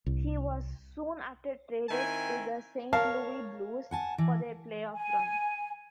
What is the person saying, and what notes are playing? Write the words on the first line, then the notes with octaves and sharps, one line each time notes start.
He was soon after traded to the Saint Louis Blues for their playoff run.
C2
D#3 C4 E4 G#5
A#4 C#5 F5 A5
F#5 G#5 A5
E3
G#5